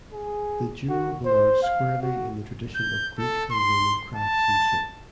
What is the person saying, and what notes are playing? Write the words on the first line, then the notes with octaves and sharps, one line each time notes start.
The jewel belongs squarely in the tradition of Greek and Roman craftsmanship.
G#4
F#4
C5
F5
F#4
G6
A4
C6
A5